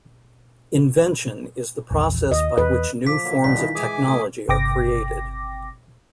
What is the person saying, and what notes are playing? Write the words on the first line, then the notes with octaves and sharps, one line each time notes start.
"Invention" is the process by which new forms of technology are created.
A#1 E2
D#2 D#5
E2 B4
F3 D6 B6
D3 F#3 A#3
D#1 C4 D#4 D5 B6
D#3 E3 E4 F4 D#5
E3 G#3 G#5 D6 D#6
A3 D#6
G1 C3 G5 D6 A#6